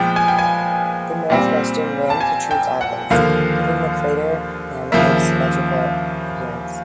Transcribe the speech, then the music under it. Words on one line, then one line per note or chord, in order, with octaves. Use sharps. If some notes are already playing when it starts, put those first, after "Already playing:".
The northwestern rim protrudes outwards, giving the crater an asymmetrical appearance.
Already playing: A#2 F3 G#3 B3 G5
G#5
G5
G#5
A#2 G3 C4
A5
G#5
G5
F#5
D#2 D3 F3 A#3 F5
D#2 C#3 F3 A#3 E5